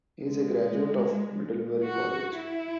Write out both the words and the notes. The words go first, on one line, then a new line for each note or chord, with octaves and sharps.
He is a graduate of Middlebury College.
G#3
F#4
E4